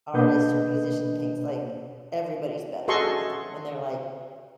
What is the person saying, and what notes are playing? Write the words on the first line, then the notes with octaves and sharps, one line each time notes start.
artist or musician thinks, like, "Everybody's better than me." When they're like
B2 A#3 D4 B4 D#5 G6
F#4 G#4 A4 D#5 C6 C#6